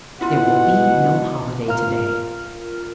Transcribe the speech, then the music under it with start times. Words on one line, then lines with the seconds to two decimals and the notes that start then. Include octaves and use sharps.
There will be no holiday to-day.
0.21 B2 E4 F4 F#5
1.68 F4 A#4 F6